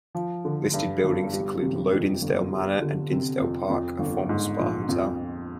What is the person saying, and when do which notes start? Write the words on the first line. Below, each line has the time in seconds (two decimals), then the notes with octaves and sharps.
Listed buildings include Low Dinsdale Manor and Dinsdale Park a former Spa hotel.
0.15 F3
0.45 D3
0.74 G2
1.04 G1
1.33 G3
1.62 C3
1.92 F2
2.22 G1
2.51 G3
2.81 D3
3.11 C3
3.39 F2
3.69 F2
3.99 G1
4.29 G#2
4.59 A#1
4.88 F2